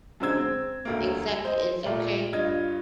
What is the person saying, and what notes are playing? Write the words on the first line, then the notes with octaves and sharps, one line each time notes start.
Exactly, it's okay.
F#2 D3 G#3 C5 E6 G#6
C4
E1 D2 A#3
C5 D#5
A#2 A3
G2 F4 D#5 G#6